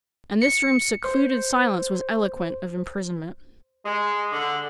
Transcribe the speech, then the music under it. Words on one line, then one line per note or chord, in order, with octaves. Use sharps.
And this room's secluded silence was eloquent of imprisonment!
C#7
C5
G#3
D3